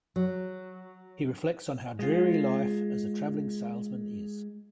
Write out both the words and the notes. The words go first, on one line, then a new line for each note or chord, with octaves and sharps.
He reflects on how dreary life as a traveling salesman is.
F#3
G#3 F4